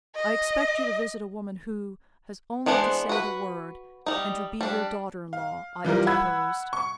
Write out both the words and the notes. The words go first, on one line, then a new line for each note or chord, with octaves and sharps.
"I expect you to visit a woman who has only to say the word and to be your daughter-in-law," I interposed.
D#5
E3 G#3 B3 D4 C5
F#4 B4
G3 D#4
G3 D4
F5
E3 F3 G3 A#4
F#5 B5 E6 G#6
C#6